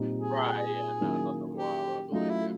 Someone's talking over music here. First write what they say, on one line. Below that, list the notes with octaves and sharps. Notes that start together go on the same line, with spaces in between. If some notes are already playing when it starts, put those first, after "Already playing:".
Right, yeah, no, nothing wild, I believe you.
Already playing: A#2 G3 C4 D#4 G4
G#4
D#3 F#3 A#3 C#4 E4
G4
F#3 A3 C#4 D#4 F4
E4